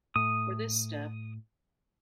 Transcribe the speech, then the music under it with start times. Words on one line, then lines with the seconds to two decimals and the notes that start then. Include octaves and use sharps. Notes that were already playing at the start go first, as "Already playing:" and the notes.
For this step.
0.16 A2 D#6